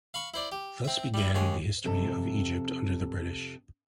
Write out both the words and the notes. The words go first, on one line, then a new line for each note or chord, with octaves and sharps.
Thus began the History of Egypt under the British.
F5 B5 C#6
E4 C5 D5
G4
C4 E5
G3 E4
D#2 G#3 C#5
F2 C3 A4